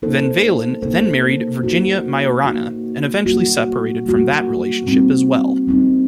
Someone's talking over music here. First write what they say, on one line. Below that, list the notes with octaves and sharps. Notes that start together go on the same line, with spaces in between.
Van Valen then married Virginia Maiorana, and eventually separated from that relationship as well.
A#3 D#4 A4 C5
A#3 D#4 A4 C5
A#3 D#4 F#4
A#3 D#4 F#4
G3 A#3 F#4
G3 A#3 F#4
G3 C4 D#4
G3 C4 D#4